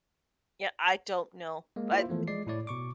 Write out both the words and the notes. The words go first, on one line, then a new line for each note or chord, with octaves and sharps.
Yeah, I don't know, but i
G#3 A#3
A#3 E4 F4 C5 E5
E3 F3 A3 B3
G#3 D5 C7
A2 A3 E4 C#5 D5
B2 C#6 D6